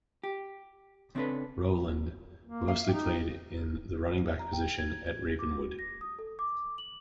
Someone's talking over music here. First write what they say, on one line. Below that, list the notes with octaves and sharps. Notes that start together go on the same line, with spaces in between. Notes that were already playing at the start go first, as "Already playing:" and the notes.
Rowland mostly played in the running back position at Ravenwood.
G4
C#3 C4 D4 E4 A4 B4
A#3
E5 F5
D#4 G4
A#5
G5
G#6
G#6
D6
F#4
A#6
D#6
A4
D6
F#7